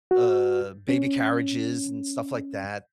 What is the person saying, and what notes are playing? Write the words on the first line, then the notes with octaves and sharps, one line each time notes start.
uh, baby carriages and stuff like that
F#4
C#4